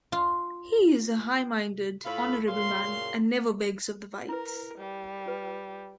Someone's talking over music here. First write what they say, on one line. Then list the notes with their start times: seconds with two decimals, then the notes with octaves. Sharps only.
He is a high minded, honorable man and never begs of the whites.
0.12 F4
2.05 A2 F4 A4 F5 B5
2.47 F#2 A#2 C#3 F5 C6
4.29 E4 A#4 B4
4.78 G3
5.26 F4 B4